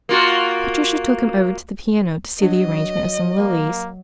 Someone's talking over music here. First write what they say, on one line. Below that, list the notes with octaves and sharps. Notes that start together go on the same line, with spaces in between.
Patricia took him over to the piano to see the arrangement of some lilies.
A#3 F4 F#4
F#3 D4 D#5
A#3